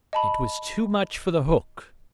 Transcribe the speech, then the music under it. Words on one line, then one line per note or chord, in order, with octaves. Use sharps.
It was too much for the hook.
D#5 A5 B5